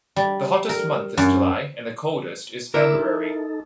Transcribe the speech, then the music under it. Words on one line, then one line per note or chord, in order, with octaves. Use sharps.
The hottest month is July and the coldest is February.
G3
A#4
F#2
D3 E4 A#4 D6 E6
D#4 A4